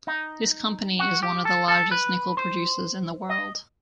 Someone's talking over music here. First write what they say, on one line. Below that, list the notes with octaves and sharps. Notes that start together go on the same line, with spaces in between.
This company is one of the largest nickel producers in the world.
D#4
F#4
G4
A4
A4
B4
C5
D#5